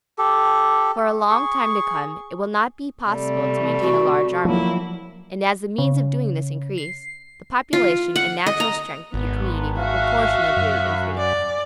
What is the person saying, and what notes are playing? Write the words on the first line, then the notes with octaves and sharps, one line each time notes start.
For a long time to come, it will not be possible to maintain a large army; and as the means of doing this increase, the population and natural strength of the community will proportionably increase.
G4 A4
G#4 C#6
C3 G3 A3
F#4
F3 F#3 A#3 E4
C#3
C7
F4
F#5
D#5
A#5
G#1 B3
F#4 E5 F5
F#2
D5